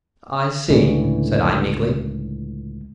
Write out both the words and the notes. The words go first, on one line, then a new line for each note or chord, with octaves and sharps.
"I see," said I, meekly.
C#2 A2 D3 E3